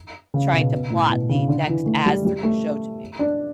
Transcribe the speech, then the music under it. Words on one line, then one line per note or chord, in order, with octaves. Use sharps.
n trying to plot the next ads they're gonna show to me?
C#3
B2
B2
A2
B2
C#3
D3
E3
A3
G3
G3
A3
D4